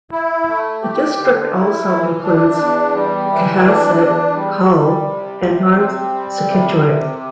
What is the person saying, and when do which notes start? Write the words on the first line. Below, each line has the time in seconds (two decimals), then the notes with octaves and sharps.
The district also includes Cohasset, Hull and North Scituate.
0.12 E4
0.47 A3
0.83 G4
1.18 D3
1.53 E4
1.88 E3
2.23 D4
2.58 E2
2.94 G3
3.30 E3
3.65 D4
3.99 E2
4.35 G3
4.71 G3
5.06 C3
5.41 C3
5.76 C4
6.12 G3
6.47 C3
6.82 C3